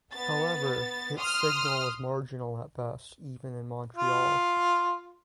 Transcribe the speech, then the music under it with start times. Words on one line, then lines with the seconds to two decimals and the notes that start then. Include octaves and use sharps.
However, its signal was marginal at best even in Montreal.
0.13 B3 A6
1.17 C6 D#6 F6
3.97 F4